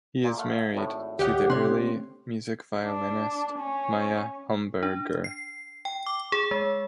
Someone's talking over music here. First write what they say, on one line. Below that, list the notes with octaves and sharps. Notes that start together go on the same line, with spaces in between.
He is married to the early music violinist Maya Homburger.
A#2
A3 F5 F#5
G#1 A2
D2 G4 C#5 D#5 F#5
C3 D4 C#5 C6 F#6
A3 C4 C#4
D4
C#4
D4
C7
G5
D6
G#4
G#3